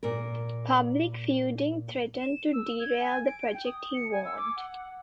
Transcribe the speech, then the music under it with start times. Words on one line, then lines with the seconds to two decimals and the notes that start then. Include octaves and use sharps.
Public feuding threatened to derail the project, he warned.
0.03 A#2 A#4
2.20 E7
2.53 E6
2.80 G#6
3.00 G#5
3.25 D7
3.54 G5
3.66 D#6
3.94 C#7
4.11 G#5
4.25 E6
4.37 D6
4.56 F#5